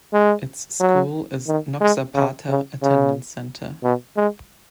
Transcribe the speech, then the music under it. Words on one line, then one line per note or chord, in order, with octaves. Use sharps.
Its school is Noxapater Attendance Center.
G#3
F#3
D#3
G#3
C#3
C#3
C#3
B2
G#3